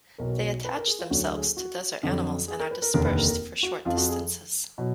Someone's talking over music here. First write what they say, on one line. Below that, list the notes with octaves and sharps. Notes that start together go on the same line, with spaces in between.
They attach themselves to desert animals and are dispersed for short distances.
B1 B2 F#3 A#4
B4
A#4
G#4
F4
D2 D3 F#3 F#4
G#4
F#4
F2 D3 F#3
G#4
A#4
B4
A#4
F1 D#2 D3 A#4
B4
A#4
A#4
F#4
F2 F3 F4
F#4
G#4
B2 F#3